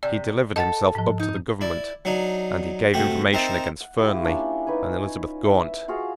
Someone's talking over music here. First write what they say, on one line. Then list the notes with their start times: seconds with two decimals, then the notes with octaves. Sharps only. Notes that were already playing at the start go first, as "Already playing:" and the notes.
He delivered himself up to the government; and he gave information against Fernley and Elizabeth Gaunt.
0.03 C3 D5
0.56 A4 D#5 F#5 A6
0.95 G#2 F3
1.20 D#4
1.61 E4 D5
2.05 F#3 D4 D#4
2.94 C3 A3 F#4 G4
3.33 C4 D#4 A#4 C5 E5 A5
3.81 F#5
3.98 E4 F4 G4
4.25 A#3 C#4 D4
4.67 D#4 B4 C#5 G#5
5.44 E5
5.88 F4 F#4 G#4 F5